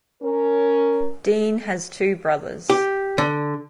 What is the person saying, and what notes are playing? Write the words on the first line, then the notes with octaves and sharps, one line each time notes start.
Dean has two brothers.
C#4 A#4
G4
D3